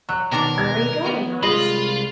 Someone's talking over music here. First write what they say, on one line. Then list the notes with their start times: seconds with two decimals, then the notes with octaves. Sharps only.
'Where are you going, Hans?'
0.09 F#3 F#6
0.32 B2 D#3 D4 A#4 A#5
0.58 G#6
1.06 B3
1.43 C2 G#3 F4 D#5 B5